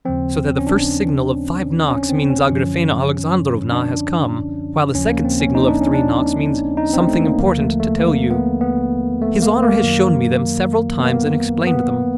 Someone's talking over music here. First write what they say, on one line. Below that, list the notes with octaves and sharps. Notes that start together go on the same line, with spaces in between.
So that the first signal of five knocks means Agrafena Alexandrovna has come, while the second signal of three knocks means 'something important to tell you.' His honor has shown me them several times and explained them.
D#2 C#3 F3 C4
C#4
D4
C#4
C4
C#4
F#2 D3 F3
D4
D#2 C#3 F3 C#4
A#3
C4
C#4
D#4
D4
C#4
D4
D#4
C4
A3
A#3
D#2 D3 F3 A#3
A3
A3
A#3
B3
B3
A3
A#3
A#3
F#2 D#3 F#3
B3
A#3
B3